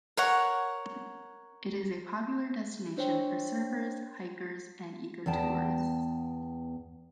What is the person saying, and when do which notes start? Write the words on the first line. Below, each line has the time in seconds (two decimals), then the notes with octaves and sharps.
It is a popular destination for surfers, hikers and ecotourists.
0.17 A#4 C#5 F#5
2.97 D4 C5 C#5 G5
5.26 E2 B3 G5 A5